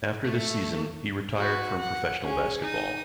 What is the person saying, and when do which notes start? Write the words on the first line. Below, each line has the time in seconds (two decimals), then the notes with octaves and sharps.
After this season, he retired from professional basketball.
0.25 A3
1.36 F#4 B4
1.77 F#5
2.23 C#4 G#4
2.62 D#4 D#6